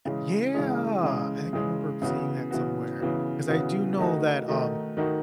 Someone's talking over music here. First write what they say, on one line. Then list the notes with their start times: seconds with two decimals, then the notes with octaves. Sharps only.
Yeah, I think I remember seeing that somewhere, 'cause I do know that um,
0.05 C#3 E3 G#3
0.54 C#3 E3 G#3
1.03 C#3 E3 G#3
1.53 C#3 E3 G#3
2.02 C#3 E3 B3 F#4
2.51 C#3 E3 B3 F#4
3.00 C#3 E3 B3 F#4
3.49 C#3 E3 B3 F#4
3.99 D#3 A3 D#4 F#4
4.47 D#3 A3 D#4 F#4
4.97 D#3 A3 D#4 F#4